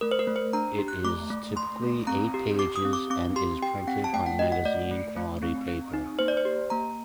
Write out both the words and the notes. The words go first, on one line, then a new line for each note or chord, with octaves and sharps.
It is typically eight pages and is printed on magazine quality paper.
A3 A#4
C5
A#4
A3
C5
D4 A#5
G4
F#6
A3 D6
A3
A3 C6
A3
C4 A#5
G4
G4 D6
D#6
C4
D6
C4 D6
G4 C6
G4 G5
C4 F#5
A5
A3 G5
F#5
F#4 D#5
F#5
A3 D5
A3
A3
C4
C4
D#4
A#3 C5
D5
C5
G4
A#3 A#5